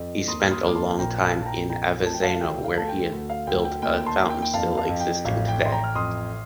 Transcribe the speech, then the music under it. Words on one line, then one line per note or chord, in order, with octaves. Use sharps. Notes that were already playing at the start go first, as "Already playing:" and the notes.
He spent a long time in Avezzano where he had built a fountain still existing today.
Already playing: F2
D#2 C6 D#6
F6
C6 D#6
D#2 D6
A5 C6
A#1 G5 A#5
F5 A5
A#1
A5
G5 A#5
F2 G5 A#5
A3 A5
G5
F5 A5
F5
D2 G5
F5
A3 A5
G5
D2
F5
D2 G5
G5
D#2 G5
A5 C6
D#2
G5
G5
F2 F5 A5
F5 A5
F2
G5
A1 F5
G5
A1
C6
G5 A#5
F6
F2 C6 D#6